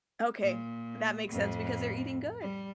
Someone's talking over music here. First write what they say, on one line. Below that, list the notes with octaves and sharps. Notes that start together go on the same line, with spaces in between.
Okay, that makes sense because they're eating good.
A#2
F2 A2
G3